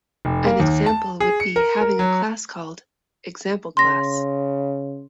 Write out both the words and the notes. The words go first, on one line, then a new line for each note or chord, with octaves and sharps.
An example would be having a class called "ExampleClass".
F1
A#3
D#2
A5
G#4
C#7
A#4
A#4
F#3
C#3 C6 A#6